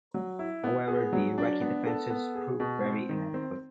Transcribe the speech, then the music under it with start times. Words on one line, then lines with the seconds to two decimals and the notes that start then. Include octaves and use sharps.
However, the Iraqi defenses proved very inadequate.
0.14 F#3
0.39 E4
0.64 B3
0.87 G#4
1.13 F#3
1.38 D4
1.61 B3
1.86 A4
2.10 B3
2.35 G#4
2.60 B2
2.85 C4
3.09 D#3
3.34 C4